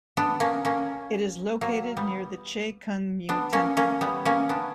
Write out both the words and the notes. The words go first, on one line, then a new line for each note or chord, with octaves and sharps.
It is located near the Che Kung Miu temple.
B3 D4
A#3 C#4
A#3 C#4
F#3 A#3
G3 B3
B3 D4
A#3 C#4
A#3 C#4
G3 B3
A#3 C#4
B3 D4